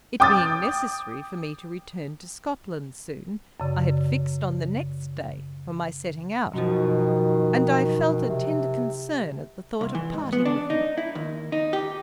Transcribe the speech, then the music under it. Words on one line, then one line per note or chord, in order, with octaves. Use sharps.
It being necessary for me to return to Scotland soon, I had fixed on the next day for my setting out, and I felt a tender concern at the thought of parting with him.
G5 D6 D#6 A6
F#2 C#3 D5
F#2 B2 D#3 F3
C3
C2
E3
G#2
B3
D4
D#4
E4
D#2
D#4
G4